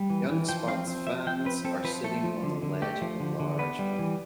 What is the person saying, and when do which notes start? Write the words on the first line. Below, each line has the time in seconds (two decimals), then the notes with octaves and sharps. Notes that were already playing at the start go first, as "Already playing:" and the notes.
Young spots fans are sitting on the ledge of a large fountain.
Already playing: G3
0.10 E3
0.29 E3
0.49 F3 G5
0.68 C4 F5
0.87 C4
1.07 F3 E5
1.27 F3 G5
1.45 C4 B4
1.65 C4 A4
1.84 F3 B4
2.04 A3 A4
2.24 F3
2.43 D3
2.62 D3
2.82 A3 G4
3.02 F3
3.20 D3
3.40 D3
3.59 B3 B4
3.79 G3
3.99 E3